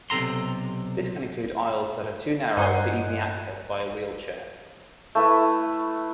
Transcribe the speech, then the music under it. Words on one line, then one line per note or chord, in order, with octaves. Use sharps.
This can include aisles that are too narrow for easy access by a wheelchair.
B1 C3 A4 A#5 C6
G2 D#4 C5 F#5 G#5
A3 E4 B4